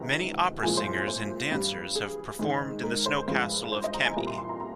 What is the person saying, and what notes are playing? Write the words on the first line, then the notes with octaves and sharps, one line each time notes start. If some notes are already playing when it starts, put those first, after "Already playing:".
Many opera singers and dancers have performed in the SnowCastle of Kemi.
Already playing: C#2 C3 D#3 G#3 A#5
C2 A#2 F3 G#3 G#5
C5
C5
G2 G3
G#4
G#2 D#3 G#3
A#4
C5
G2 F3 G#3
C5
D#5
A#5
G#5
C2 A#2 G3 A#5
C6
C6
A#5
A#5